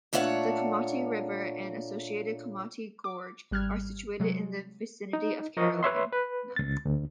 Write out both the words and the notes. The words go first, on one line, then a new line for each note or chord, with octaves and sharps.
The Komati River and associated Komati Gorge are situated in the vicinity of Carolina.
A#2 A3 D4 C#5 F#5
D6
G#1 G3 F6 F#6 G#6
C3 F#3 G#3
D#4
F3 A#4 D#5 C#6
B4 C#5 E5 C6
B4
C#2 A6
D2